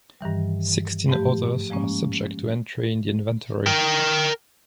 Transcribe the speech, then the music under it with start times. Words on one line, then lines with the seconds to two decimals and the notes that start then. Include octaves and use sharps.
Sixteen others are subject to entry in the inventory.
0.21 G2 D#3 E3 G3
1.09 G#2 F3 A3 G4
1.70 F3 G#3 A#3 C#4
3.66 A#4 G5